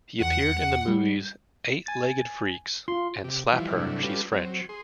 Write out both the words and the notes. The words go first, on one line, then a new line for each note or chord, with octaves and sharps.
He appeared in the movies "Eight Legged Freaks" and "Slap Her... She's French".
E2 F#5
G3
G#5 A6
F4 C6
C3 G4
E3 F3 G3 E4 F4
G2 C3 F#3 A3 D4 E4
G3 C#4 F4 G4 A4 B4
F#3 C4
G#4 C6